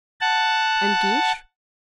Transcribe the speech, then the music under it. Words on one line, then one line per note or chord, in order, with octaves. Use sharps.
"And Guiche?"
F#5 A5